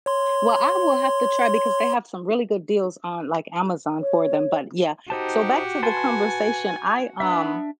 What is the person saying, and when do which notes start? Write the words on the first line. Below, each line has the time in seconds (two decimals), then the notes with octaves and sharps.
Well, I will have to try because they have some really good deals on, like, Amazon for them, but yeah, so back to the conversation, I um,
0.06 C#5 C6
4.01 C#5
5.10 D#4 F#4 G4 C5 A5
5.83 B4 G#5 A5 C6
7.20 B3 D4 E5